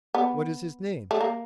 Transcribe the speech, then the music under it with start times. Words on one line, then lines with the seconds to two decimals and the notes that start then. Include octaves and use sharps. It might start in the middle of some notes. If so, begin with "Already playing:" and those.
"What is his name?"
0.15 B3
1.11 A3
1.21 A#3